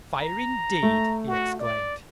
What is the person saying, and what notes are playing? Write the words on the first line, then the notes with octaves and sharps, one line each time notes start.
"Fire, indeed!" he exclaimed.
A#5
A3
F#4
D5